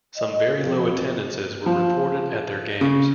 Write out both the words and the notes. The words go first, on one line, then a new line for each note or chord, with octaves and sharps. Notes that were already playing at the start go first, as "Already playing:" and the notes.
Some very low attendances were reported at their games.
D#5
F2
F3
C#3